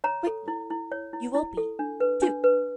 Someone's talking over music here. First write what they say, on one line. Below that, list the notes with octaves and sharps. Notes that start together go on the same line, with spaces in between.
Quickly, you will be, to.
C#5 A#5
A4
E4
E4
C#5
E4
E4
A4
D4
B4
D4
B4